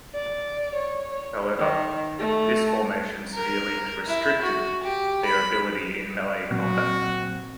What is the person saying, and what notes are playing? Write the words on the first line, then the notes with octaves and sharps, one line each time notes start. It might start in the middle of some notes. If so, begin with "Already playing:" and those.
However, this formation severely restricted their ability in melee combat.
D5
C#5
D#3
A3
A#4
E4
F#4
G4
B5
A#2 F#3 A#3 C4 F#4